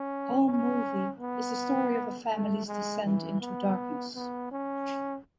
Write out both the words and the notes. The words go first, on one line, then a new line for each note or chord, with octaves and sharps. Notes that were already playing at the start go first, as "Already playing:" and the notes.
"Home Movie", is the story of a family's descent into darkness.
Already playing: C#4
C#4
B3
A3
G#3
E3
B3
B3
C#4